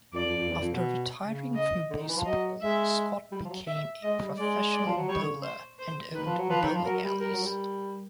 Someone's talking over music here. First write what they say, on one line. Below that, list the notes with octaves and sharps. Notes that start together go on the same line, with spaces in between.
After retiring from baseball, Scott became a professional bowler and owned bowling alleys.
F2 D5
F2
F2
E2
F2
B2
C#3
D#5
D3
D#3
E3
F3
F#3 D#5
G#3 E5
G3
F3
F#3
E5
G#3 D#5
G3
G#3 D5
D5
F3
F#3
G3 C#5
D3
C#3
C5
C5
D#3 B4
F3
F#3
F3 B4
D#3
F3
F#3 A#4
G3
G3 A#4
F#3
G3